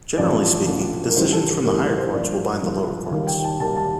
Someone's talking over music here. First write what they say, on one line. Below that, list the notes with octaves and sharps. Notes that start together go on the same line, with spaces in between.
Generally speaking decisions from the higher courts will bind the lower courts.
A1 G2 F3 A3 D5
A1 G2 F3 A3
A#4
A1 A2 G3 C5
A4
A4
A1 A2 G3 A#4
A#4
C5
G2 F3 A#3 D5
G2 F3 A#3
D#2 D#3 G3 A#3 F5
G5
A5
D#2 D#3 G3 A#3 A5
A5